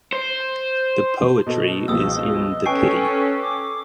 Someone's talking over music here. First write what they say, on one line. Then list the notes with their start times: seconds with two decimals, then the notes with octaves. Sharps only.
The Poetry is in the pity.
0.13 C5
1.47 B2 A4 D#5
1.88 C#2 B2 F3 D#6 E6
2.66 C#4 A4 B4 G5 G#5 C#6 C7 D7
3.41 D6